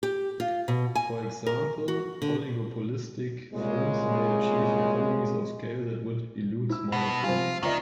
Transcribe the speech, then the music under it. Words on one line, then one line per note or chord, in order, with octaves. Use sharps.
For example, oligopolistic firms may achieve economies of scale that would elude smaller firms.
G4
F4
B2
G#5
A#4
F#4
D3
C2 A#2 C#3 G#3
E4 E6
B2 F#5 A5
C3 F3 F4 G#5
C#2 D#3 D#4 D5 E5